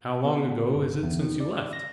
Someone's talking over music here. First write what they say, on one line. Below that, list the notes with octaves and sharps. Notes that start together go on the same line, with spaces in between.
'How long ago is it since you left?'
B3
G1
E2
D#3
D5
A#6